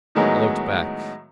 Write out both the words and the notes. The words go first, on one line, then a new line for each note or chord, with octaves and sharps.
I looked back.
A2 D#3 F#3 G#3 B3 D#4